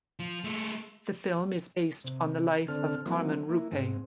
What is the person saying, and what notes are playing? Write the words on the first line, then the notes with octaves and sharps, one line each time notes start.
The film is based on the life of Carmen Rupe.
F3
G#3 A3
C3
D3 C4 A4 F6
E3 F#3 A#3 C4
A#3 E4
G#2 C4